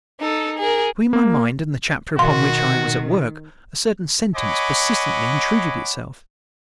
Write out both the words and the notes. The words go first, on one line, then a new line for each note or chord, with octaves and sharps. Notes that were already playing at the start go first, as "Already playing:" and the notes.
Between my mind and the chapter upon which I was at work a certain sentence persistently intruded itself.
D#4 A4
G#4 A#4
A#3
B2 D#3 F#4 F5 C6
C#5 D#5 F#5 G#5 B5 D6